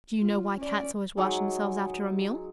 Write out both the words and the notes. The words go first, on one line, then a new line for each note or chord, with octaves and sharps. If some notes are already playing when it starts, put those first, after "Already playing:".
Do you know why Cats always wash themselves after a meal?
F4
C#4 D5
F#3 G#3 D#4